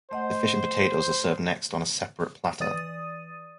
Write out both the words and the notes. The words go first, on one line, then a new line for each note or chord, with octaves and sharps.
The fish and potatoes are served next on a separate platter.
A3 C5 D#5 F#5
E3 D5 D#6 A6 D#7